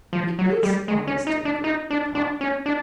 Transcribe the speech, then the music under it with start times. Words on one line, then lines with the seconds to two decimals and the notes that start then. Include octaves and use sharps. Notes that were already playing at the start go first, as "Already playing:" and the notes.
"He is honest and good, papa."
0.13 F3
0.39 F#3
0.63 G3
0.88 G#3
1.07 C#4
1.27 D#4
1.45 D4
1.64 D#4
1.91 D4
2.15 D4
2.41 C#4
2.66 D4